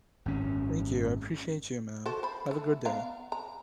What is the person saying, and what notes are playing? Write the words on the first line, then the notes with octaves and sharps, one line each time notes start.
Thank you, I appreciate you, ma'am. Have a good day.
G#1 F#2 C#4
F#4 A4 C5
C5 B5
A3
B3 F5 A#5
A#5